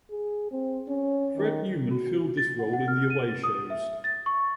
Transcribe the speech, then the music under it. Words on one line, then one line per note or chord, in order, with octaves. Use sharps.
Fred Newman filled this role in the away shows.
G#4
C4
C#4
D#3
F#4
A6
F#5
F#5
F6
D#7
A6
D#6
E5
A6
C#6